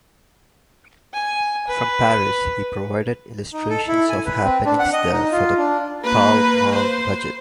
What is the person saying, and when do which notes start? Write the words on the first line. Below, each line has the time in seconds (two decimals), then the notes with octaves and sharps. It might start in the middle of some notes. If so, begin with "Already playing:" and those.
From Paris he provided illustrations of happenings there for the "Pall Mall Budget".
1.14 G#5
1.68 B4
3.53 D#4
3.70 A4
3.88 E4
4.09 G#5
4.25 B4
4.44 C4
4.66 D4
4.79 F#5
4.93 D#5
5.12 D#4
5.32 F4
5.58 D4
6.04 A#3 B4
6.76 C5